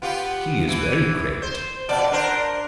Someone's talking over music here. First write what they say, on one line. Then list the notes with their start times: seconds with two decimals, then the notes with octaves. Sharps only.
He is very great.
0.02 B3 F4 G4
0.68 E3
1.42 C5
1.89 F2 B2 D5
2.11 D4 A#4 C5